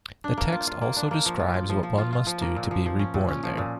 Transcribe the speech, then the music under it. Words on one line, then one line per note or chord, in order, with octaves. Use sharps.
The text also describes what one must do to be reborn there.
D4
A#3
F4
F4
A#3
D4
A#3
F3
F4
F4
F3
F3
F4
F4
F3
A#3
A#2
F3
F3
C#4
A#2
C#4
F3
A#2